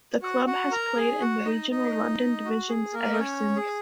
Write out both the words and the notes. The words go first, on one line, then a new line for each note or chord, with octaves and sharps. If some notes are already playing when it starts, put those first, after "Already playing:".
The club has played in the regional London divisions ever since.
F#4 F#5
F#4 F#5
A#4 A#5
G#4 G#5
F#4 F#5
D#4 D#5
D#4 D#5
F#4
G#4
A#3 A#4
D#5
C#4 C#5
G#4